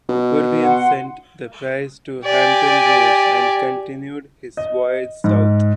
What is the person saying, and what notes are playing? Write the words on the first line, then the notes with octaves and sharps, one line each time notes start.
Purviance sent the prize to Hampton Roads and continued his voyage south.
B2
F#5 C6
G4 D5 G#5
D#5
G#2